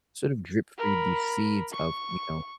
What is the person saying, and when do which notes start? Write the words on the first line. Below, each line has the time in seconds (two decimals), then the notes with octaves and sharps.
sort of drip-feed these seeds of, you know,
0.78 A#4 B5
1.72 C#6